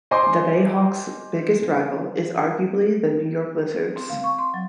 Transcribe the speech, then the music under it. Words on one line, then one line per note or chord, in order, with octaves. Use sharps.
The Bayhawks' biggest rival is arguably the New York Lizards.
C5 D#5 G#5 C6 D6
C4
F5
C#6
C6
F#3